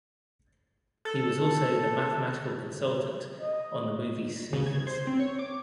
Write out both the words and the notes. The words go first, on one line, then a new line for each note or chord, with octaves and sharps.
He was also the mathematical consultant on the movie "Sneakers".
A4
D#5
C#3
G#6
C5
C4
C#5
D6